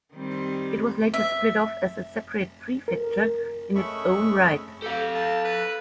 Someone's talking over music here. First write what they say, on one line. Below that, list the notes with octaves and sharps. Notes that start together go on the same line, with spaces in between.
It was later split off as a separate prefecture in its own right.
D#3 G3 C4
E5
A#4
G#3 A3 C#4 E5 B5 C#6
G4 A4 F5
A5
B4